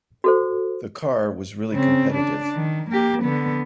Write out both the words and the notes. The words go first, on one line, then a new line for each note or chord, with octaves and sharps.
The car was really competitive.
F#4 A4 C5
C#3 C4
D4
D#3
A#3 G4
D3 B3